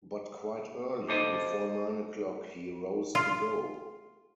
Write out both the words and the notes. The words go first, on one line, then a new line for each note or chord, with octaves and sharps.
But quite early, before nine o’clock, he rose to go.
G4 A4 C5 D#5
F4